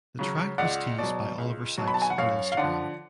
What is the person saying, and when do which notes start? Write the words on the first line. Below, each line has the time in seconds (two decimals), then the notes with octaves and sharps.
The track was teased by Oliver Sykes on Instagram.
0.19 C#3 F#3
0.58 C#2 D5 F#5
0.99 B2 F#3 D5
1.38 C#2
1.77 B2 F#3
1.87 B5
1.94 A5
2.02 G#5
2.10 F#5
2.18 F#2 C#5 F5
2.52 F5
2.57 D3 F3 D5 F#5